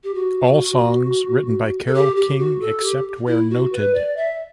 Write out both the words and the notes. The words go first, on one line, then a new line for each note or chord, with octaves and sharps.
All songs written by Carole King except where noted.
G4
F#4
A4
G4
G4
F#4
A4
G4
E4
F#4
B4
D5
E5